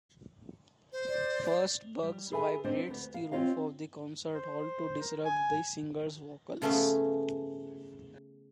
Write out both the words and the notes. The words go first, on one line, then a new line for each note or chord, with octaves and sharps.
First, Bugs vibrates the roof of the concert hall to disrupt the singer's vocals.
C5
D5
D5
G3
G#4 A4 B4 E5 F5 G#5
C4 D4 C5 D#5
D2 B3
F5
C4 C#4 F4 C#5 D#5 F5
C5
A#4
G#5
C#3 F3 A3 B3 C#4